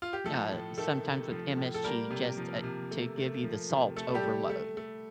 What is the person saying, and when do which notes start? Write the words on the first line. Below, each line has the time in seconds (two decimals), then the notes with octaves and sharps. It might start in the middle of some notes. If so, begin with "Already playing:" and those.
uh, sometimes with MSG just, uh, to give you the salt overload.
0.02 F4
0.13 G4
0.24 F3 A3 A4
0.52 A2
0.78 D#3 A3 A4
1.05 C3
1.31 F3
1.57 A2
1.74 A4
1.84 G3 A#3 A#4
2.11 C3
2.37 F3
2.64 C3
2.91 A3
3.18 A3
3.44 F3
3.70 C3
3.96 A3 A4
4.08 A4
4.14 G3 G4
4.23 A3
4.50 A3
4.77 A3